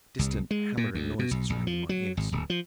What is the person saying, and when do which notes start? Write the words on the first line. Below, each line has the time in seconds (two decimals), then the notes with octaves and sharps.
Distant hammering noises rang in my ears.
0.19 C2
0.51 G#3
0.77 A#2
0.94 D2
1.19 B2
1.31 B1
1.50 A#1
1.67 F3
1.89 F#3
2.17 G#1
2.32 D1
2.50 F3